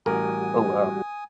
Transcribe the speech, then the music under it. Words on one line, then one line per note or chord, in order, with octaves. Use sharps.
Oh, wow.
A1 G3 F#4 A#4 G#5 D#6